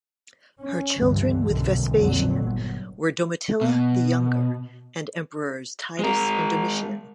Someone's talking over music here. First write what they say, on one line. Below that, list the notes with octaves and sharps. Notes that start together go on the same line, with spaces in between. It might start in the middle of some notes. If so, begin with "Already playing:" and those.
Her children with Vespasian were Domitilla the Younger and Emperors Titus and Domitian.
C#4
C#2 G2 D3 E3
B1 F#2 D3 D#3
F2 A#2 D3 F#3
G1
B2
G#3 A#4